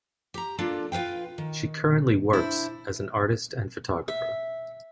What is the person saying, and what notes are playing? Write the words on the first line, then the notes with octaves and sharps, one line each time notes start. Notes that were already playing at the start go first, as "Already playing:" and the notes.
She currently works as an artist and photographer.
G4 A#5
A#3 D4 F4 A4
F4 B4 F5 G5
D#3
D4 E4 C5
E5